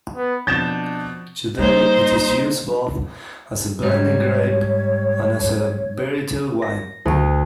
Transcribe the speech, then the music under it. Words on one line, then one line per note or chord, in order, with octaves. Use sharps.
Today it is used both as a blending grape and as a varietal wine.
B3
B2 F3 C4 D4 G6 A6 E7
G3 A#3 D#4 C5
G#2 G3 C#5
A#6
D2